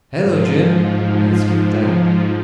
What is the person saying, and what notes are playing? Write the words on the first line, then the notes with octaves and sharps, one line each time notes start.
"Hello, Jim!" and skipped out.
G#2 F3